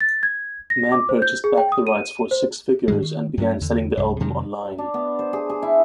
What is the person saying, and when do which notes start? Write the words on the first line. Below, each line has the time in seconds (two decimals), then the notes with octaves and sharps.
Mann purchased back the rights for "six figures", and began selling the album online.
0.01 A6
0.23 G#6
0.70 A#6
0.92 D6
1.09 C5
1.22 G6
1.44 G#4
1.58 G5
1.72 D#6
1.87 D#7
2.31 C5
2.88 G#2 D#3 G3 G#3
3.02 D#3
3.37 G2 F#3 A#3 C#4
3.61 E2 D3
3.97 C2 G2
4.20 F2 C3 D#3 F#3
4.78 D4
4.94 B3
5.19 C5
5.33 G#4
5.50 G#4
5.62 E4